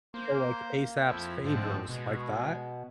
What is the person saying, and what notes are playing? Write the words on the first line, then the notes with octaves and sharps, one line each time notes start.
Oh, like Aesop's fables, like that?
A#3 C5
F2 F3 E4
G#2 D3 F3 C4
B2 G#3